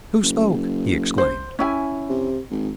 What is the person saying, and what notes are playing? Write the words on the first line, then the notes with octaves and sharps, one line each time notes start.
"Who spoke?" he exclaimed.
F#1
C5
C#4 E4 G#5
C3
G#1